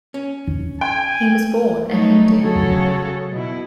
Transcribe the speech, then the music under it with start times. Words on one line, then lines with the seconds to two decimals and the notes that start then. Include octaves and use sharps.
He was born a Hindu.
0.14 C#4
0.81 G5 G#5
1.88 F#3 G3 A3 B3 D#4 C#5
2.40 C#3 F#3 F#4 G#4 A4 C#5
3.32 B2 E4